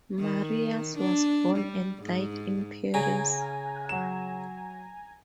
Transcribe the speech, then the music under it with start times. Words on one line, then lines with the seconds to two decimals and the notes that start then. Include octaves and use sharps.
Marais was born and died in Paris.
0.19 D#3
0.97 D4
1.57 G3
2.03 G#2
2.94 C#3 G#5 A#5
3.89 F#3 E7